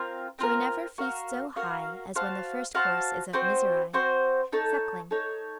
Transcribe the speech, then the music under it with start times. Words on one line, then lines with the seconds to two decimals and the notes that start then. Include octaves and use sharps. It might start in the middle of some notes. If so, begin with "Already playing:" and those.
"Joy never feasts so high As when the first course is of misery." --SUCKLING.
Already playing: C4 F4 A#4
0.39 C4 F4 A#4
0.98 F#4 A#4 F5
1.56 F#4 A#4 F5
2.15 F#4 C5 F5 A5
2.75 F#4 C5 F5 A5
3.33 C4 F#4 C5
3.93 C4 F#4 C5
4.53 D#4 A4 C#5
5.11 D#4 A4 C#5